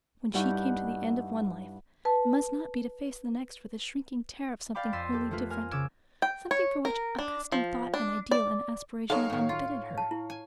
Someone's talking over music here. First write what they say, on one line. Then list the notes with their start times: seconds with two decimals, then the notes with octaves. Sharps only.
When she came to the end of one life it must not be to face the next with the shrinking terror of something wholly different--something for which accustomed thought and ideal and aspiration had unfitted her.
0.34 G2 D#4 E4 F#5 C#6 G6
2.05 B4 A5
4.75 D5 F5 G5 B5 D6
4.93 F2 C6 E6 A6 B6 D#7
5.12 G4 A4
5.31 F3 A3 A#3 F4 B4
5.50 A#4 G#5 F6
5.71 C#3 D6 E6 G#6 D7
6.22 G5
6.51 C#5
6.85 A#4
7.19 D4
7.52 F3
7.94 D4
8.31 D5
9.10 F#3 G#3 D#4 A4 C#5 F5
9.30 A2 D#3
9.49 F4
9.98 A5
10.11 E4
10.30 G#5